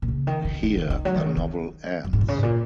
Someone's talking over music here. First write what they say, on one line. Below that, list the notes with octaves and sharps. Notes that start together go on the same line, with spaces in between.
Here the novel ends.
A#2
C#3
D#3
D#3
D#3
D#3
D#3
F#3
D#3
C#3
D#3
F#2
G#2
A#2
C#3
G#2
A#2